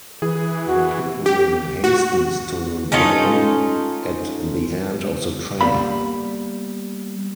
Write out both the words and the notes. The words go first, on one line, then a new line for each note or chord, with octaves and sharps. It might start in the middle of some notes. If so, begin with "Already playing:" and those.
The pilgrim hastens to the van at the end of the train.
E3 G#4
F#4
G4
F#4
C#4 D#4 F4 A4
G3 A#3 B3 F5 B5